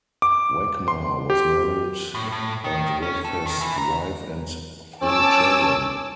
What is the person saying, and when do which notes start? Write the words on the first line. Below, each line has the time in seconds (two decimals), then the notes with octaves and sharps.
Wechmar was married and with his wife had three children.
0.22 D6
0.88 C6
1.30 G4
2.15 A2
2.32 A2
2.64 D#3
3.02 C#4
3.25 A4
3.46 D#3
3.61 E3
3.78 A#5
5.02 C#4 A5 D6 E6